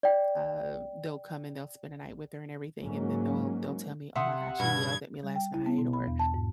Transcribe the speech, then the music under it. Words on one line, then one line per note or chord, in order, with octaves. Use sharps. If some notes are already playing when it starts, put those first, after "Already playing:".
um, they'll come and they'll spend a night with her and everything, and then they'll they'll tell me, "Oh my gosh, she yelled at me last night," or,
D5 G5
G#2 F#3 A#3 C#4
C3 E5 F#5 C6 D#6
G2 B2 G#6
G3
G5
E4
B3
B2
B5
E2
A5
G#2